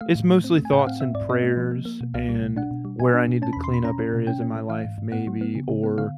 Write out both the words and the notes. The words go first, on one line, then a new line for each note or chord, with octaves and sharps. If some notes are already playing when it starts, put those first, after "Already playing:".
It's mostly thoughts and prayers and where I need to clean up areas in my life maybe or,
A3 F5
A2
A3
C4
A3
G#5
A2 G5
F#5
C4 F5
C4 E5
G#2 D5
C4 D#5
A3
F3
A#3
A#3
B2
C2 F5
G3
B2
D4 F#5
B2
G3
B2 G#5
D4
B2
C#4 A5
B5
E2
C6
B2 B5
C#4 A#5
C#4
B2
C#4 G5
C#4
A3
E3 F5
G#2
G#2
B3 F#5
F#3
B3
C#3
C#3
B3
D3 F5